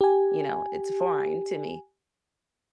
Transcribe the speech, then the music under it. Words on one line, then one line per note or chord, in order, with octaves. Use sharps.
you know it's foreign to me,
G4 G#5